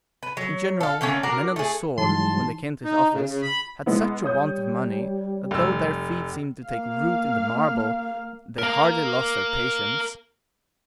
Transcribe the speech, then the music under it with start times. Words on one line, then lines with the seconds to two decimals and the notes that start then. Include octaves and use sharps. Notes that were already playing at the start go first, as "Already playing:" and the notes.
In general, men of the sword, when they came to his office, had such a want of money, that though their feet seemed to take root in the marble, they hardly lost their patience.
0.23 B4
0.37 F#3
0.80 A4 F5
1.01 D3 A3 A#3 C#4
1.23 D4 F#4 A#4
1.56 A3 G#4
1.98 G2 E3 F#3 G#3 D#4 A5 C6
2.84 D#4
3.12 C#3
3.26 C#3
3.42 B5
3.86 G#3 B3 E4
4.24 G3 C#5 D#6 G6
5.51 F1 E6
6.65 A#3 F5
8.59 A#4 F5